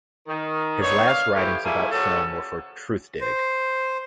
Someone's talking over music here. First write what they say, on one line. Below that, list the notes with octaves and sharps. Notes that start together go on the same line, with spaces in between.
His last writings about film were for Truthdig.
D#3
B3 C4 D4 D#4 C#5
F5
E3 F3 A3 E4 F4 G4
G3 A3 A#3 E4 F4 G#4
C#3 F3 A3 C#4 F#4 A4
C5